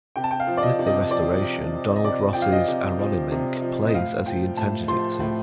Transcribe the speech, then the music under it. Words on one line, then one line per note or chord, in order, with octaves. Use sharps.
With the restoration, Donald Ross's Aronimink plays as he intended it to.
C3 G5
A5
G5
F5
F3
D5
D#5
C3
D#5
F3 D5
C3
F3
D#5
C3 D5
F3 G5
F5
D#5
C3
F3
C3
F3
D#5
A2 F5
F3 G5
A2 A5
F3 C6
A2